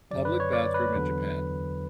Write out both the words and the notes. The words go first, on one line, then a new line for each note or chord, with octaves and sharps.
public bathroom in Japan.
F#2 D3 F#3 D5
B4
C#5
D5
B4
E2 D3 F#3